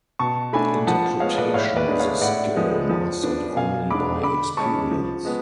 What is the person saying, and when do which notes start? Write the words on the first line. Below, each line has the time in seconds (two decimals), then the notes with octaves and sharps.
Interpretation is a skill mastered only by experience.
0.19 B2 A5 C#6
0.53 A3 D4 G#5 B5
0.87 F3 F#5 A5
1.20 G#3 B3 C#5 F5
1.38 B4 D5
1.54 A2 C#5 F5
1.76 B4 D5
1.88 G#3 B3 D4
1.99 C#5 F5
2.21 A2 D5 F#5
2.55 F3 G#3 B3
2.90 F3
3.23 B3 D4
3.56 B2 F5 G#5
3.90 G#3 D4 B5 D6
4.23 D3 B5 D6
4.57 G#3 C#4 A5 C#6
4.91 F3
5.25 G#3 B3